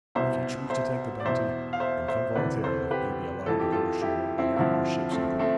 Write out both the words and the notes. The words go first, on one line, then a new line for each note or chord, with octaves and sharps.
If you choose to take the bounty and come voluntarily, you'll be allowed to go ashore whenever your ship's in port.
C2 B2 C5 E5
C5 E5
D5
E2 B2 C5 E5
F5
C5 E5
C5 E5
D2 C3 E3 B4 D5
A4 C5
G4 B4
F2 E3 A4
G4
F4 A4
E4 G4
C4 E4
G2 D3 F3 C4 E4
A3 C4
A3 C4